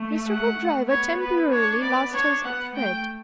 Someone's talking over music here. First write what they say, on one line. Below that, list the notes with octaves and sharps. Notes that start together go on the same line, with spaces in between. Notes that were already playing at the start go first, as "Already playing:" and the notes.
Mr. Hoopdriver temporarily lost his thread.
Already playing: A3
F#5
B3 C#5
B4
D4 C#5
B3 D5
D4 C#5
B3 F#5
A3 G5